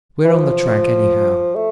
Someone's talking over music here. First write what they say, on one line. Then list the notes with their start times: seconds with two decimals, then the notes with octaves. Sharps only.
We're on the track anyhow.
0.25 E3
0.34 F3
1.56 A3